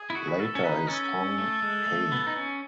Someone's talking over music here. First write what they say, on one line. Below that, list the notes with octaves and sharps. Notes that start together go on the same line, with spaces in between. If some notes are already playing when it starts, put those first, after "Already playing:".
Later his tongue came.
Already playing: G#4
E4
F#4
B4
A4
C#4
D#4 B4
C#4 A4
A3
G#3
A3
B3
D#4
C#4